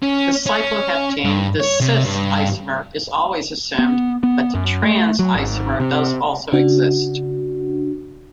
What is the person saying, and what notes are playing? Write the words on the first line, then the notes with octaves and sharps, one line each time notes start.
With cycloheptene, the "cis"-isomer is always assumed but the "trans"-isomer does also exist.
C#4
C#4
G2
C#5
C3
G2
B3
B3
F#2
A3
F#3
G#1
C3
C#3 D4 F#4